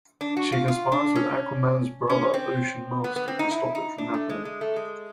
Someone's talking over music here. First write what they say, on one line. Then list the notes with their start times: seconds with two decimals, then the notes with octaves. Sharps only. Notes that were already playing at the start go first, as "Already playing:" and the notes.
She conspires with Aquaman's brother Ocean Master to stop it from happening.
0.21 D4
0.37 F#4
0.52 F4
0.68 F4
0.92 D4
1.15 C#4
2.10 C#4
2.34 C4
3.04 B3
3.16 B3
3.28 C4
3.39 D#4
3.51 E4
3.75 D#4
3.98 D4
4.14 A3
4.29 G#3
4.45 G#3
4.61 A3
4.76 G#3